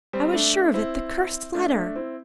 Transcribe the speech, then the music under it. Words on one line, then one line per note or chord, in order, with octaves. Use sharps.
"I was sure of it--the cursed letter!"
G3 C4
A3 D4
C4 E4
A3 D4
A3 D4
C4 E4